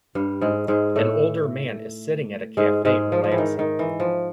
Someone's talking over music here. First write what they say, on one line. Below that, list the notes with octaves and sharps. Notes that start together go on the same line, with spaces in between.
An older man is sitting at a cafe relaxing.
G2 G3
G#2 G#3
G#2 G#3
A2 A3
G#2 G#3
G#2 G#3
F3
F3
E3
D#3
D#3
E3
F3